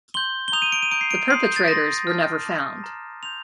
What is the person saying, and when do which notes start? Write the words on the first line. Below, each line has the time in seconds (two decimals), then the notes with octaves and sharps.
The perpetrators were never found.
0.14 C6 G6 G7
0.48 G7
0.52 A#5 D#6 G6 F7
0.62 D#7
0.72 D7
0.82 D#7
0.91 A#5 D#6 G6 D7
1.01 C7
1.11 D7
1.30 C6 D#6 G6 C7
1.44 G6
1.56 A6
1.68 C6 D#6 G6 A#6
2.07 A5 D6 F6
2.45 A5 D6 F6
2.84 A#5 F6
3.23 C6 G6 F7